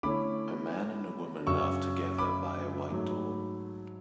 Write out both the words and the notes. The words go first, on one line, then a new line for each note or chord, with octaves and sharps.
A man and a woman laugh together by a white door.
D3 A3 C#4 E4 B5 D6
F#2 C#3 F#3 C#6 E6
B5 D6
G#2 F#3 A3